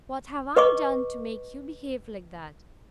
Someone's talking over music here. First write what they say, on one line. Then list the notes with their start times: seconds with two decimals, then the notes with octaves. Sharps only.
'What have I done to make you behave like that?
0.56 B4 D#5 C#6 D6